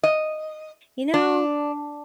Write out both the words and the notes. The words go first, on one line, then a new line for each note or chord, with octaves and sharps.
"You know,
D#5
D4